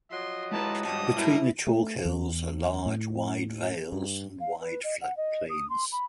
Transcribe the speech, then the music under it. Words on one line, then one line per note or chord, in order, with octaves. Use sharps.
Between the chalk hills are large, wide vales and wide flood plains.
F3 F#3 D#5 C6
G#3 E4 B4 A5 A#5
G#2 G3 A5 D#6
B2 F#3 A#3 E4
A3
E2
A2
G2
F5
B4
D#5
F#5
D#5
D#6
C6
B5